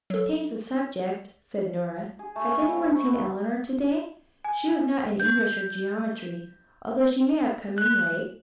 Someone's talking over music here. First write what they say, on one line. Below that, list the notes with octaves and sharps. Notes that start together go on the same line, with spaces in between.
"To change the subject," said Nora, "has any one seen Eleanor to-day? She was not in English or geometry, although she may have come in late."
F#3 A4
G#4
A3
C#4
E4
C4
C#6
B3
A#5
G#5
G6
F#6